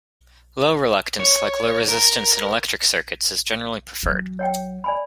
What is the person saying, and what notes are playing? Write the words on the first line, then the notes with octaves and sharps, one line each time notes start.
Low reluctance, like low resistance in electric circuits, is generally preferred.
C#5
A#4
E3 F#3
C#5 F#5 G5
D5 G#5 B5